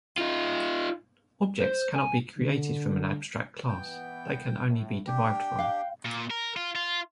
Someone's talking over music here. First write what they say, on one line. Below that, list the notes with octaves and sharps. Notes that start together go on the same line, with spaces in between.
Objects cannot be created from an abstract class; they can only be derived from.
D#4 F4
C5
G#5
D3
E3 B3 G5
A2
D4 G4 G5
F5 C6 F#6
A#2
A#4
F4
F4